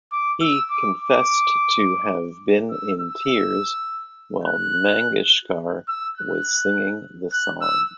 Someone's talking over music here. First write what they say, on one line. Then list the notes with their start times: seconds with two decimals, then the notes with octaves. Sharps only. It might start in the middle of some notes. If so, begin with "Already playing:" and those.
He confessed to have been in tears while Mangeshkar was singing the song.
0.12 D6
0.41 E6
0.70 D6
0.99 D6
2.71 E6
3.00 E6
4.44 F#6
5.88 E6
6.17 F#6
7.33 F#6
7.61 E6